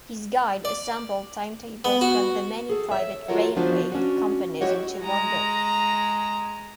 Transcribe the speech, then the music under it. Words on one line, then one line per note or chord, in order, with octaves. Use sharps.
His guide assembled timetables from the many private railway companies into one book.
D5
B3
F#4
G#4 A4
C#5 E5
F4 F#4 A4 A#4 C#5 F#5
F3 B3 D4 F4 F#4 C5
C#4 D4 F#4
E4 F#4 G4 C#5 D#5 F#5
G#3 A#5